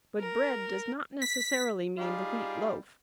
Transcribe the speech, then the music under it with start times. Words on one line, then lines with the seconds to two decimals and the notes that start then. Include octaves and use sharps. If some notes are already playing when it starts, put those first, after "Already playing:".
But "bread" does not necessarily mean the wheat loaf.
0.18 A#4
1.22 B6
1.98 G3 D#4 F4 G4 G#4